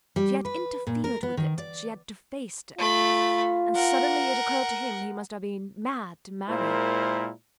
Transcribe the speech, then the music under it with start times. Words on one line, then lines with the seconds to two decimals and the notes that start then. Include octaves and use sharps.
She had interfered with it; she had defaced it. And suddenly it occurred to him he must have been mad to marry.
0.16 G3
0.45 B4
0.87 A#2
1.04 A#4
1.23 B3
1.37 D#3
1.58 D5
2.79 A3 F4 B5
3.75 A#4 F#5
6.48 A#2 G#3 E4 A#4 C5